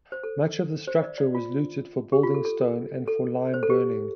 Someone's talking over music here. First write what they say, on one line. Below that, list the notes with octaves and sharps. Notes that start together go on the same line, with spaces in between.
Much of the structure was looted for building stone and for lime burning.
C5
A4
C5
D5
D5
F4
G4
F4
A4
A4
A4
C5
A4
G4